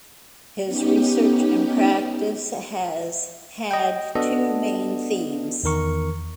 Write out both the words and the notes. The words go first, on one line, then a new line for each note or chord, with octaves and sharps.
His research and practice has had two main themes.
B3 C#4 D#4 G4
D#5 G5
B3 D4 F#4 A4 D#5
E2 D#3 A#4 C#6